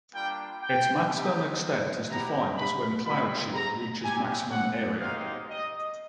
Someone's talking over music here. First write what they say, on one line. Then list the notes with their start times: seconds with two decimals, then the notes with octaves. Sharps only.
Its maximum extent is defined as when cloud shield reaches maximum area.
0.13 G3 A#3 D4 F4 G5
0.62 G5
1.10 B3 D#4 G4
2.08 B3 E4 G4 A#5
2.57 B5
3.05 G#3 C4 F4 B5
3.54 A#5
4.02 C4 E4 G4 G#5
4.51 F#5
5.00 G#3 C4 D#4 G4 F5
5.50 D#5